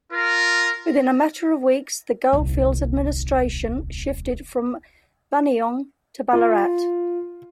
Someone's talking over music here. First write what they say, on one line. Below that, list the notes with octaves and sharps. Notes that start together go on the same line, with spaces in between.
Within a matter of weeks the goldfields administration shifted from Buninyong to Ballarat.
F4 A#4
D#1 C2
F4